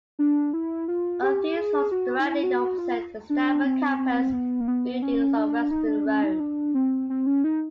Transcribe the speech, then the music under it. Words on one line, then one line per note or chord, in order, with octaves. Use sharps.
All of these halls are directly opposite the Stafford campus buildings on Weston Road.
D4
E4
F4
G4
G#4
F#4
D#4
E4
F#4
F#4
F4
D4
C4
C4
B3
A#3
B3
C#4
D4
D#4
D4
C#4
D#4
D4
C4
C4
C#4
D#4